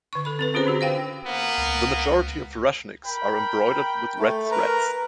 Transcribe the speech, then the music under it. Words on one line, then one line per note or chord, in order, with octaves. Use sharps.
The majority of rushnyks are embroidered with red threads.
D3 C#6
A4 B5
C4 A4 B4
C#4 F4 G#4 C5 A#5
D3 D4 F#4 G4
C5 F5 G5
A#3 B3
C#2
A#4 G5 B5
A3
A#4 B4 A#5